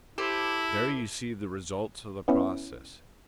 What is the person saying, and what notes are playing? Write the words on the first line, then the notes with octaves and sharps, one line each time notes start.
There you see the results of the process.
E4 G4 A4 C5
B3 C#4 E4